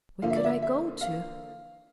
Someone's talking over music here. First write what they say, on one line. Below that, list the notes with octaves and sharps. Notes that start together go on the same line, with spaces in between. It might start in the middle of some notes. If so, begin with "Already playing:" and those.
'Where could I go to?
D3 F3 A#3 F5
E5
D5
E5
E5
F5